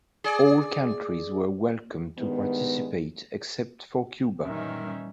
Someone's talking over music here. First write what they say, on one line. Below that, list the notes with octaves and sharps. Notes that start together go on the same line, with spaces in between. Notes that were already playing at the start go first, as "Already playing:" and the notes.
All countries were welcome to participate except for Cuba.
G#4 D5
G2 D#3 G#3 B3
F#2 A#2 D#3 E3 G3 C#4 D#4 E5